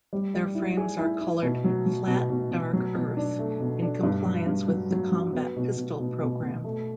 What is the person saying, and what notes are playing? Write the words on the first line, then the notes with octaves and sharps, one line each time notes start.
Their frames are colored "Flat Dark Earth" in compliance with the Combat Pistol program.
G3
G3
E4
G#4
E4
E4
B2
F#3
F#3
B2
B2
B2
F#3
B2
D4
A3
B2
D4
G2
F#3
G2
F#3
F#3
F#3
B3
B2
B2
B2
B2
B2
A3